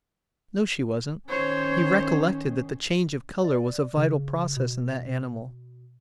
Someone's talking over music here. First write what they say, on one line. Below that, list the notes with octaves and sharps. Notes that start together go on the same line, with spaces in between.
No, she wasn't; he recollected that the change of colour was a vital process in that animal.
D#3 C#4 C5 C#5
D5
C#3
B2